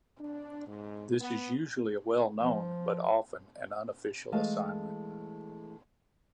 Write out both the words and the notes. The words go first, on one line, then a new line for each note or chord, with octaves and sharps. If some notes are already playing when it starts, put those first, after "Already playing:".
This is usually a well-known but often an unofficial assignment.
D4
G#2
B3
F3
E3 G#3 A3 F5 A5